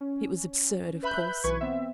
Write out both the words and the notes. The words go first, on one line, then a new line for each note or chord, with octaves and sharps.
It was absurd, of course.
C#4
B4 E5 B5 F#6 G6
B1 E3 B4 B5 C#6 G#6
B3 C4 E5